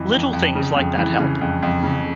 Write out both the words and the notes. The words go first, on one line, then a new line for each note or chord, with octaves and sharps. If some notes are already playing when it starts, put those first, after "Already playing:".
Little things like that help.
Already playing: F2 E3
F2
F2
C#3
F2
E3
C#3
F2
F2
C#3